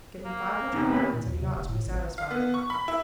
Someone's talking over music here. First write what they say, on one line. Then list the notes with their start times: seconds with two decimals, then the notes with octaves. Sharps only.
Give him five hundred pounds, and he ought to be satisfied.
0.24 A#3
0.73 E2 C3 D#4
0.90 A#3 C#4 B4
1.13 A#2
1.27 D#2
1.42 C3
1.56 F1
1.69 A2
1.86 G#1
2.18 F5
2.31 B3
2.54 C#6
2.70 B5
2.88 E4